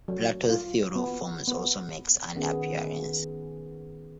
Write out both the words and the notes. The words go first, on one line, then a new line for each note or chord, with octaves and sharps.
Plato's theory of forms also makes an appearance.
F#3
F4
B3
B3
D#3 B3 C#4 G#4